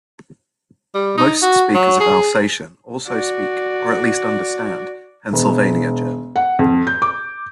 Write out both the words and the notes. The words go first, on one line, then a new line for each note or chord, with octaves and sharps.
Most speakers of Alsatian also speak or at least understand Pennsylvania German.
G3
D#4
F#4
F#3
G#4
F#4 D5
E1
F#5
F2
G6
D6